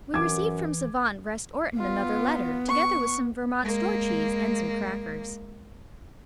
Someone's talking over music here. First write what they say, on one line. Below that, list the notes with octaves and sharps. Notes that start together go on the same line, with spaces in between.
We received from savant Vrest Orton another letter, together with some Vermont store cheese and some crackers.
F#2 E3 D6 G#6
B3 F4
C#6
G#3 A#3